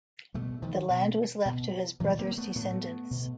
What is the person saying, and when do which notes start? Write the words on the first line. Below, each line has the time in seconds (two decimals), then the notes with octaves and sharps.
The land was left to his brother's descendants.
0.34 B2 G3 A3
0.62 D#3 F3
0.90 B2
1.45 B2
2.00 A#2 E3 F#3
2.19 A#3 C4
2.32 C4
2.37 A3 B3
2.55 A2 A3 B3
3.11 B2